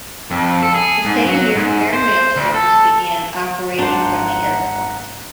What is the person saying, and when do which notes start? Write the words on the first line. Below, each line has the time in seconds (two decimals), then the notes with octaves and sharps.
The same year airmail service began operating from the airport.
0.31 F2
0.63 A4
0.75 G#4
1.05 G#2
1.26 F#3
1.56 G#2
1.93 C5
2.36 D2
2.54 A4
3.78 G#1 D4 C5 F#5 A#5